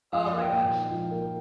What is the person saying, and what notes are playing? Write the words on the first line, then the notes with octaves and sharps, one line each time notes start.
Oh my gosh.
F3 F5
A#3
G5
A#2
D#4
F3
A#3